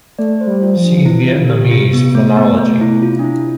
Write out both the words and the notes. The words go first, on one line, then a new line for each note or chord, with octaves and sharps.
See Vietnamese phonology.
A3 D5
C5
G3
F4
F3
D4
E3 E4
F4
D3
G4
C3
F4
B3
A3
B3
A3
E4
F4
D4
E4